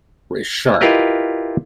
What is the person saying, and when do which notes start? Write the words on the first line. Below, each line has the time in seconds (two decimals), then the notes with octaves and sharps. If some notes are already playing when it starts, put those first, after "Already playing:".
very sharp.
0.81 E4 F4 G4 A#4 B4 D#5